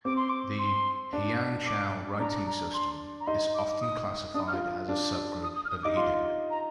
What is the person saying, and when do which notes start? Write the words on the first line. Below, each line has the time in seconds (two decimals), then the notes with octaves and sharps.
The "hyangchal" writing system is often classified as a subgroup of Idu.
0.05 C4 D6
0.16 C6
0.29 D6
0.59 C6
1.13 D4
1.66 D6
2.20 D4 A#5
2.47 A#5
2.74 C6
3.20 A#5
3.27 D#4 C6
3.55 D6
3.81 D#6
4.34 D4 D#6
4.48 F6
4.53 F4
4.89 D4
5.43 D#6
5.56 D#6
5.65 F6
5.70 D#6
5.83 D#4 D6
5.96 F4 C6
6.50 A#5